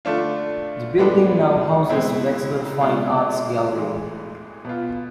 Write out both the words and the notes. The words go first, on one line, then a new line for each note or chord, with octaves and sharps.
The building now houses Wexler Fine Arts Gallery.
D3 A3 D4 F4
A2 G#3 B3 D4
B2 G#3 C4 E4
B2 G#3 D4 F4
A2 E3 G#3
B2 B3 F4